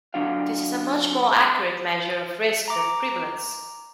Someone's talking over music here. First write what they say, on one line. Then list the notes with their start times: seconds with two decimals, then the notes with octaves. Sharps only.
This is a much more accurate measure of risk than prevalence.
0.14 D3 F#3 D4 F4 F5
2.68 A#5 D6